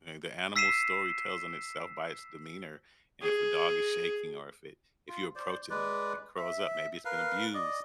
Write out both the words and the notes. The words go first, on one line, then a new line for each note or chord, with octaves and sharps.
eh, the animal's story tells on itself by its demeanor, and if a dog is shaking, or if it if you approach it and it it curls up, maybe it's been abused,
E6 B6 C7 D#7 E7
G#4
F4
C5 D5
G#3 B4 D5
E5
A#4 B4 F5
D5 D#5